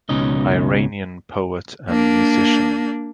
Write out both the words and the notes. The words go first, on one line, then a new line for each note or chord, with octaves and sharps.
Iranian poet and musician.
C#2 B2 C#4 D#4 D#5
A#3 D4